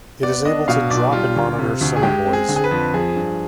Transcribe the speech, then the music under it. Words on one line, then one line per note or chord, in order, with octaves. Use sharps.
It is able to drop and monitor sonobuoys.
B3 D5
D4 D#5
B2 F5
B1 D5
G3 F4
D2
C3
D2
G#4
G#3 G4
C4
G#4
D3
G#4
B4
F2
F3 G#4
G2